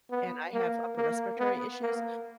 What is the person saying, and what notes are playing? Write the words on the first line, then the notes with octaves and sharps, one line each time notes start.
and I have upper respiratory issues,
B3
A#3
A#3
B3
A#3